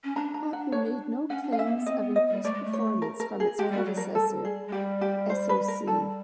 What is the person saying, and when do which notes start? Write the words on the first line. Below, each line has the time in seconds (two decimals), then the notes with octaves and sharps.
Apple made no claims of increased performance from its predecessor SoC.
0.04 C#4
0.16 D4 A#5
0.34 A#5
0.53 F#5
0.72 C#5
1.30 C#4 F#5
1.43 D4
1.52 F5
1.55 C#4 E5
1.66 A#3
1.76 B3
1.86 C4 D#5
2.01 B3
2.16 D#5
2.30 G3
2.44 A3 D5
2.54 G#3
2.64 A3
2.73 C#5
3.02 A#4
3.20 A#4
3.40 G#4
3.58 G#3 G4
3.71 G3
3.78 F#4
3.85 F#3
3.97 G3 A#4
4.15 A4
4.45 G#4
4.68 G#3
4.72 G3 G4
5.01 G4
5.30 C5
5.49 B4
5.68 A#4
5.87 G3 A4